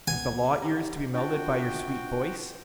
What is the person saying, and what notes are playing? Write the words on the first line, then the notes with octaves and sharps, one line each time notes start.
Has the law ears to be melted by your sweet voice?
C#2 B3 F#5 G#5
G4 A#5
D4 F4 F#4 G5 A5